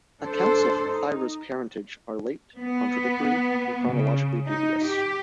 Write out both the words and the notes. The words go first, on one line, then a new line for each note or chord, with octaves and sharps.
Accounts of Thyra's parentage are late, contradictory and chronologically dubious.
D4 A4 C5
D#4
B3
C#3
D#4
G4